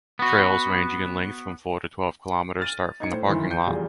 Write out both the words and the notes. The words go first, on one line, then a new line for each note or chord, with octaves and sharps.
Trails ranging in length from four to twelve km start from the parking lot.
B3 F#4
F6 A6 D#7
D#4 G#6 C#7
A2 C5
F#1 D#3 E3 E4 C6
G6
F1 E2 G3 F4 G#4